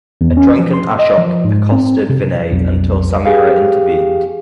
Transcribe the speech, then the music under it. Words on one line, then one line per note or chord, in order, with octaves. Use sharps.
A drunken Ashok accosted Vinay until Sameera intervened.
E2
C#4
F3
C6
D#5
F3
G#2
C4
C3
B1 F2
G4 G#4 F5